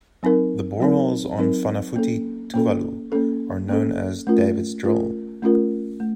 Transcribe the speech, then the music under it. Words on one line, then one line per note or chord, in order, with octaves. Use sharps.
The boreholes on Funafuti, Tuvalu are known as "David's Drill".
F#3 C4 D#4 A#4
F#3 C4 D#4 A#4
F#3 C4 D#4 A#4
A#3 C#4 A4
A#3 C#4 A4
A#3 C#4 A4
A#3 C#4 A4
A3 C#4 F4 A#4
A3 C#4 F4 A#4
A3 C#4 F4 A#4
A3